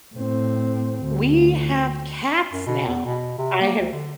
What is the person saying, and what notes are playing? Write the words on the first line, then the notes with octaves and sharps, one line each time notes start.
We have cats now, I have
A2 C4
D2
F#2
B2
E2
B2
C3
A#3
D2
D3